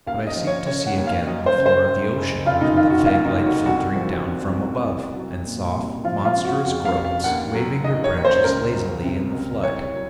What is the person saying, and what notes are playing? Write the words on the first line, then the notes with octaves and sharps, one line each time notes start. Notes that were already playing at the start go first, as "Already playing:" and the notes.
But I seemed to see again the floor of the ocean, with the vague light filtering down from above, and soft, monstrous growths waving their branches lazily in the flood.
D#2 F5
D#5
F3
C#5
C#3 C#5
F#5
D#2
F5
F#3 D#5
C5
C#3
C5
F#2
F#1
F1 F4
D#4
D#3 F4
F#4
D#2 F4
D#4
F1
F#4
C2 F#4
F3
C3
C2
C2
F#3
A#2
C2
F3 F4
F4
C3
F#4
F2 F#4
F5
F1
F5
D#2 F#5
F#3
D#3 D#5
C#5
D#2
C5
C#2 A#4
F#3
C3
C#2
C2 C#5
F#3